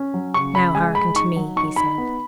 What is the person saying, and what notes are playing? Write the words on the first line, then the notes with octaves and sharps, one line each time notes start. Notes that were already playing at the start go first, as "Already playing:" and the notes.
"Now, hearken to me," he said.
Already playing: C#4
F#3
C#3 C#6
C#3 B5
G#3 G#5
G#3 B5
D#4 C#6
F#3
D#4 C#6
D#4 B5
B3